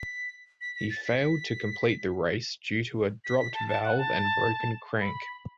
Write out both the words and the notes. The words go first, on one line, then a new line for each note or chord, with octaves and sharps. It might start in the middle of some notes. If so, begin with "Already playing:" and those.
He failed to complete the race due to a dropped valve and broken crank.
Already playing: B6
B6
B6
A6
B6
B6
B6
A5
A5
F#5
A5
B5